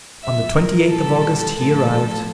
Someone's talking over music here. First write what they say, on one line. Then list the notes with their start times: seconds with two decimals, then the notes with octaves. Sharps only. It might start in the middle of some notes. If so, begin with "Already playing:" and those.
On the twenty-eighth of August he arrived.
0.22 A#2 F3 E5
0.55 A#4
0.90 A#2 G3 A4
1.57 A2 F3 A4